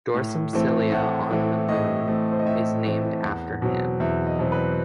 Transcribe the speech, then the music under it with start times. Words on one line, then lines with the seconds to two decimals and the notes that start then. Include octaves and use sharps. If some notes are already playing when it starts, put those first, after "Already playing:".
Dorsum Scilla on the Moon is named after him.
0.14 A2
0.53 E3 A3 C4
0.92 A2 F#5
1.31 E3 A3 C4
1.68 A2 D#5
2.08 E3 A3 C4
2.32 C5
2.39 D#5
2.46 A2 E5
2.85 E3 A3 C4
3.23 E2 F#5
3.62 B2 F#3 C4
4.00 E2 E5
4.26 D#5
4.39 B2 F#3 C4
4.52 B4